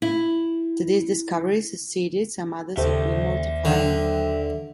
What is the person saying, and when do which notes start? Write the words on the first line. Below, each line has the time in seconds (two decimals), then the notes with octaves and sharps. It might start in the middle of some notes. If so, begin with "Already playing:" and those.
To this discovery succeeded some others equally mortifying.
0.02 E4
2.77 D#2 C#3 G4 A4 C5 D5 E5
3.65 D3 F#3 F#4 G5